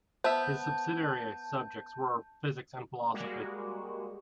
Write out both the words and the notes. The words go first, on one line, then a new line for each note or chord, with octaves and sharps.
His subsidiary subjects were physics and philosophy.
B3 C5 E5 A5 G6
G3 G#3 A#3 F#4 G4